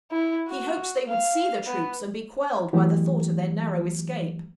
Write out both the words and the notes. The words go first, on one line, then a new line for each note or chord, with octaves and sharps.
He hoped they would see the troops, and be quelled by the thought of their narrow escape.
E4
F#4
F5
B3
E3 F#3 A3 B3 G4